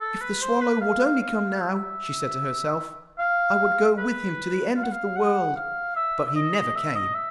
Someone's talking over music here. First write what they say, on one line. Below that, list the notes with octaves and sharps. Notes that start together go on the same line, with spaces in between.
'If the swallow would only come now,' she said to herself, 'I would go with him to the end of the world.' But he never came!
A4
B4
C5
B4
F5
F5
E5
F5
B4
F5
F#5
F5
F#5
F5
E5
E5
D#5
D#5
E5
D#5
E5